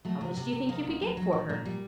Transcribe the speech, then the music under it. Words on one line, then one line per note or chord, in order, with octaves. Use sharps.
"How much do you think you could get for her?"
F#3 A3
C3
C3
C3
D#3 A#3
D2
F#3
F#3
A#2
A#2
G3